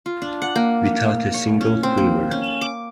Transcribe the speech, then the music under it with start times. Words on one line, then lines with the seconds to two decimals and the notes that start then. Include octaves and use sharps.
Without a single quiver.
0.06 F4
0.22 D4
0.42 F#5
0.56 A#3
1.34 C#5
1.61 C#4
1.83 C4
1.98 A#3
2.31 C#4
2.61 D6